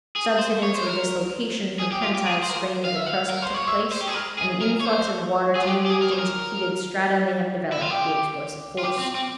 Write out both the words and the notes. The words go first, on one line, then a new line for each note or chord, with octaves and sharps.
Subsidence or dislocation from tensile strain of the crust took place, and the influx of water to new regions of heated strata may have developed the explosive force.
G#4
C5
C#5
C5
A#4
G#4
G4
F4
G4
G#4
C5
A#4
F5
E5
F5
A#4
C5
C#5
E5
C5
G4
G#4
A#4
G#4
A#4
C#5
C5
G#4
F4
G4
G4
G#4
A#4
C5
A#4
E4
F4
G4
F4
G4
C4
C4